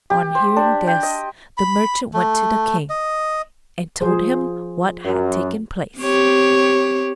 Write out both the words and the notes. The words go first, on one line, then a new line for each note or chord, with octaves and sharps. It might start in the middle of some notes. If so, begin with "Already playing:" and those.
On hearing this the merchant went to the king, and told him what had taken place.
G4
C5
D4
G5
D#5
B5
A3
D#5
F3 G#4 C5
F#2
C4 G4 C#5